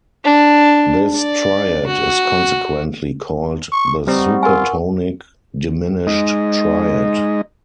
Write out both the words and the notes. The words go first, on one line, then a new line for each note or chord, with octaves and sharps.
This triad is consequently called the supertonic diminished triad.
D4
D5
F#4
C#6
G3 C4 D#4 F#4 B4 C#6
F4 A#4 G#5
G#3 D#4 D#5